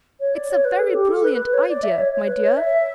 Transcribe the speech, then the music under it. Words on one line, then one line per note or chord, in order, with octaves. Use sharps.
It's a very brilliant idea, my dear!
C#5
D5
C#5
B4
A4
G4
A4
B4
B4
C#5
D5
E5
C#5
C#5
B4
C#5
E5